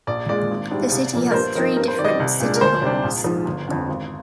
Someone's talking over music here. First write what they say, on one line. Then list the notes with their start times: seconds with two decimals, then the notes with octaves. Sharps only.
The city has three different City Halls.
0.07 A#1 D5
0.29 A#2 G#3 D5
0.51 G#1
0.71 G#2 G3 D4
0.92 C2
1.13 A#2 F3 A#3
1.31 A#4
1.34 G2 C5
1.55 F3 C4 D#4 A#4
1.77 G2 A#4
1.88 C5
1.98 D#3 D5
2.02 G3 D#5
2.08 D5
2.20 C2
2.40 A#2 G#3 D4
2.56 A#4
2.61 D2 C5
2.82 C3 G3 D4
3.04 A#1
3.24 G#2 F3
3.46 G1
3.68 F2 D3
3.88 G#1